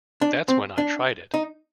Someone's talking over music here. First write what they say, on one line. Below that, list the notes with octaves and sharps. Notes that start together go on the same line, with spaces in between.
That's when I tried it.
D4
C4
D4
D#4